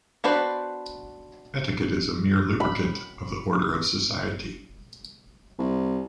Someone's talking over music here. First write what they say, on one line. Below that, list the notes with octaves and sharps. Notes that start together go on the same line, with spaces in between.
Etiquette is a mere lubricant of the order of society.
B3 D4 F#4 B4 C5
B5
C2